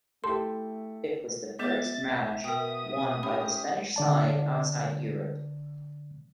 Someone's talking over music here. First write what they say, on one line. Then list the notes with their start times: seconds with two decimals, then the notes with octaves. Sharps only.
It was the first match won by the Spanish side outside Europe.
0.24 A3 E4 G4 A4 C6
1.59 G#3 B3 G#4 E5 A6
2.44 B2 A#4 G5 D#6
3.23 C#4 G4 G#5 B5
3.96 D3 D5 A5